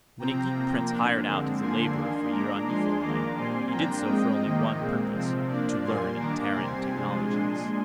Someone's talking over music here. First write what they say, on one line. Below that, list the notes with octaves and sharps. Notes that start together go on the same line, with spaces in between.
When a geek prince hired out as a laborer for a year on Niflheim, he did so for only one purpose--to learn Terran technologies.
C3 F3 C4 G5 A#5
C3 F3 A#3
F3 A#3 D4
D3 G#3 C4
D3 F3 A#3 D4 G#5 C6
D#3 A#3 D4
A#2 G#3 D4 A#5 D6
F3 G#3 D4 G#5 C6
D#3 A#3 D4 A#5 D6
A#2 G3 C4 G#5 C6
F3 A#3 D4 G5 A#5
F3 G#3 C4 D#5 G5
C3 D#3 A#3
A#2 G#3 C4
C3 F3 C4
F3 A#3 D4 D5
A#2 G3 A#3 G#5 C6
D#3 A#3 D4 A#5 D6
C3 G3 C4 G#5 C6
C3 F3 G#3 D4
A#2 G#3 D4 G#5 C6